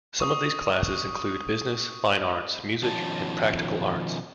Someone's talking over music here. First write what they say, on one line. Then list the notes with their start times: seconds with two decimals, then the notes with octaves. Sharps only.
Some of these classes include business, fine arts, music, and practical arts.
0.20 C#6 D#6
2.83 B2 D#3 F3 C#4 A5